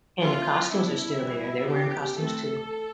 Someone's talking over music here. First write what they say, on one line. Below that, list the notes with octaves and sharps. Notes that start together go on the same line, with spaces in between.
And the costumes are still there, they're wearing costumes too.
E3 B3 D4 F4
G3 B3 D4 E4
E3 G3 B3
E3 B3 D4 G4
E3 A3 C4 A4